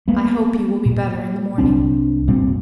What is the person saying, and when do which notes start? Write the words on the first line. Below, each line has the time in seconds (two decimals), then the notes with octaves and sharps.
"I hope you will be better in the morning."
0.08 G#3 A#3 B3
0.86 A#2
1.58 C2 G3 C4 D4
2.28 F1 A#2 G3 C4